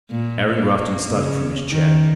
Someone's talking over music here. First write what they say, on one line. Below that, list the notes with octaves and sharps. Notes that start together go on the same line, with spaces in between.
Aaron Grafton started from his chair.
A#2
A#3
C#3
D#3